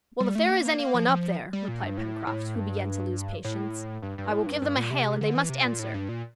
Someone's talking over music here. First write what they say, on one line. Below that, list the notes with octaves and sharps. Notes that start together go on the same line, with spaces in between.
"Well, if there is any one up there," replied Pencroft, who began to lose patience, "I will give them a hail, and they must answer."
G3
A3
A#3
A#3
A#3
F3
F3
G3
A#2
G2
A2
A2
G2
A2
G2
G2
A2
G2
G2
A#2
C3
D3
E3
C3
A#2
A2
G2
A#2